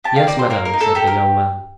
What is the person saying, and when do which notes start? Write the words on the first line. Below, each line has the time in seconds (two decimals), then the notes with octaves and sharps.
"Yes, madame," said the young man.
0.04 G4 A5
0.16 F5
0.27 A#3 D5
0.39 C5
0.50 A#3 A#4
0.65 A#4
0.73 D#4
0.81 A4
0.95 G4 A4
1.07 A#4